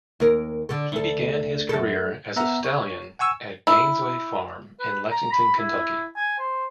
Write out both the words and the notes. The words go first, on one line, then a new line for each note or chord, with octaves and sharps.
He began his career as a stallion at Gainesway Farm in Lexington, Kentucky.
D#2 A#4
D3 A4
D2 A4
F#2 A4
B3 E5 F#5 A#5
C#5
F#5 G#5 C#6 E6
E4
B4
A#5
B5
E4
G#5
C5